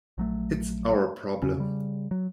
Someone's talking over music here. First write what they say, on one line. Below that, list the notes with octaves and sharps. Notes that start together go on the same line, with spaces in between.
It's our problem.
A#1 F#3 A3
E2 C#3 C#4
C#3 G3
F#3